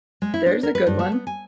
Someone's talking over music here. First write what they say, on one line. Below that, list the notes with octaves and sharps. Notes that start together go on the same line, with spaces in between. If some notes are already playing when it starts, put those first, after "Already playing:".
There's a good one.
G#3
E4
D4
A#4
B4
G2
A3
B3
G#5